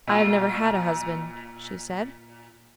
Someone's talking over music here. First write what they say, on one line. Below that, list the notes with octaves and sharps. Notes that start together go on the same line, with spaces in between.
"I have never had a husband," she said.
A#2 F4